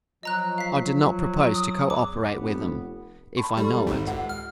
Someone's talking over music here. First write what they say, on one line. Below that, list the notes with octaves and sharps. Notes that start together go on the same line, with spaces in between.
I do not propose to cooperate with them, if I know it.
F3 F#3 D#5 A#5 F#6
F5 B6
D#6
E2 D6
F1 B3
A5 B5 C#6
G3 G4 A4 B5
G#1 G#2
C#2 F#5
F6